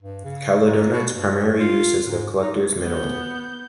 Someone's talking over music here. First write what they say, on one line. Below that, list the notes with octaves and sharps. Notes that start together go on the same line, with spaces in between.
Caledonite's primary use is a collector's mineral.
G2
C#3
G#2
B2
G2
F4
G#2
D#4
B3 G6